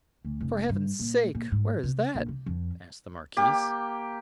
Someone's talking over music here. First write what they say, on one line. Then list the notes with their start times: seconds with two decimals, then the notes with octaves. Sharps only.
"For heaven's sake, where is that?" asked the marquise.
0.24 D2
0.41 F1
0.69 G2
0.99 A#2
1.35 A#2
1.52 G#2
1.83 C3
2.15 A#1
2.28 C3
2.46 F2
3.37 A#3 G4